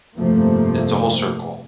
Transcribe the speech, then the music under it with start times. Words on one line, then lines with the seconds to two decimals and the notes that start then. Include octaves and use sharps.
it's a whole circle.
0.19 F1 G2 C3 F3 A3 A#3